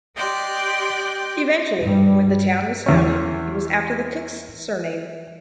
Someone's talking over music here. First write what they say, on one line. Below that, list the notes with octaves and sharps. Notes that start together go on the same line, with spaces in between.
Eventually when the town was founded it was after the cook's surname.
G4 D5 D#5 G5 C6 F#6
G2 G3
E2 C#4